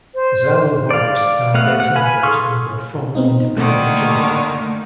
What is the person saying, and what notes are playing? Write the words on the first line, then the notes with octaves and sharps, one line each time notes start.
"Xyloborus" nowadays includes a number of formerly independent genera.
C5
D5 F5
A3 B3 F5 F#5
F#5
B4 F5 G#5 B5
G#4 A4 C6 C#6 F6
B3 C4 D#4
D3 D#3 A3 A#3